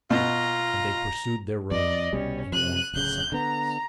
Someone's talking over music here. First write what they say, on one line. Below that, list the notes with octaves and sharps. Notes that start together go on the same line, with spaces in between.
And they pursued their road in mournful silence.
B2 F4 A#5
F2 D5 D#5
C2 B2 G3 C#4
F2 C3 F#6 D#7
D1 C#3 F#6 G6
D3 B3 A#5